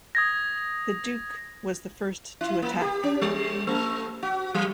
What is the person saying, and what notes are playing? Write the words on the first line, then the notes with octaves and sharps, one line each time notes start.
The duke was the first to attack.
D#6 G#6 A#6
E4
A#3
G4
C#4
G3
A3
F#4
F#3